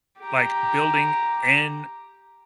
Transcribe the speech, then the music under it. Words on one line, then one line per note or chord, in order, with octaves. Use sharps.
like, building and
G4 A#5